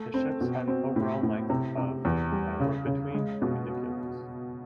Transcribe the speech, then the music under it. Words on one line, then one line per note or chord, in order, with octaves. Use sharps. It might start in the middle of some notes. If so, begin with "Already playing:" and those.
The ships had an overall length of and were between perpendiculars.
Already playing: A3
C4
B2
C4
A2
A2
C3
C3
E2
G3
C#3
C#3
G#3
B2